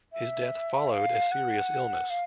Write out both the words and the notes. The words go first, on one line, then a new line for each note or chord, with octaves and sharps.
His death followed a serious illness.
E5
F5
F#5
F5